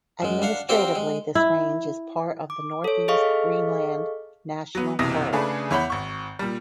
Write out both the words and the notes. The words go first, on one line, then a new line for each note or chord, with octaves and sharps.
Administratively this range is part of the Northeast Greenland National Park.
F#2 G#3
D4 F5 F#5
C4 F#4 G4 D5 F5 G5
G#3
E4
D6
A4 C#5
G#4 A4 D#5 F5 C#6
F#3 B3
F#1 B1 C3 E3 D#6 A#6
C#3 A3 D4 G#4 B4
E2 E4 C#5 F#5 B5 G6
G#1 C#6
A#2 G3